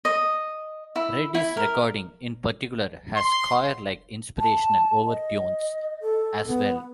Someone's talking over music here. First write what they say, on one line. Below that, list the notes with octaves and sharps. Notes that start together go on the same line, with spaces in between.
Reddy's recording in particular has choir-like inspirational overtones as well.
D#5
E4
E4
A#4
C6
A5
D#5
A4
B3